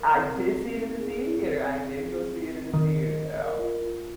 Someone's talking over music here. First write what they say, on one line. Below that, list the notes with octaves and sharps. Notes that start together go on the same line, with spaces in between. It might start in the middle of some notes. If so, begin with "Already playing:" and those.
I did see it in the theater. I did go see it in the theater, now.
Already playing: A#4
C4
C4
C4
D#4
G#4
C4
C4
C4
G#4
C4
F4
C4
D#3 A#4
D#5
D#5
A#4
F4
F4